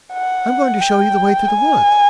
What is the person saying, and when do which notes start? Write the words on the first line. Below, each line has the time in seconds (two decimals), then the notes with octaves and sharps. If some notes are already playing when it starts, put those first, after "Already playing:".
I'm going to show you the way through the woods.
0.13 F#5
0.81 G5
1.48 G#5